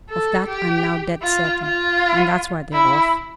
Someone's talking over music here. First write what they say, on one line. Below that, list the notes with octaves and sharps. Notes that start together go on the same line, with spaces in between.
Of that I'm now dead certain. And that's why they're off.
A4
G4
F4
F4
E4